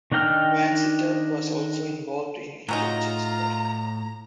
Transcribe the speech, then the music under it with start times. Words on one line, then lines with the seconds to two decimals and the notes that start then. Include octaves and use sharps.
Vansittart was also involved in intelligence work.
0.12 D#3 D4 D#4 G5 F6
2.69 A2 F#3 C#4 D#4 F4 A#5